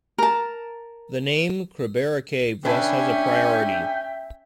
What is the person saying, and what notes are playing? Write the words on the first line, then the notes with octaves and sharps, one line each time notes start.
The name "Krubera Cave" thus has a priority.
A#4 A5
C#3 C#4 D4 B4 E5 G5 G#5